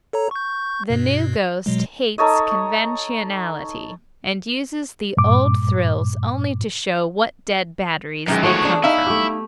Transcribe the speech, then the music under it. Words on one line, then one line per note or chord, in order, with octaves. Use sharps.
The new ghost hates conventionality and uses the old thrills only to show what dead batteries they come from.
A4 C#5 A#5
C#6 G6
G2 B2
B2 F#3 G#3
D#4 A4 C#5 D#5
G2 A#2 D6
F#2 D#3 E3 G#3
F3 A3 B3 F#4 C#5
D4 G#4
D#4 E4 E5 F5
A3 G4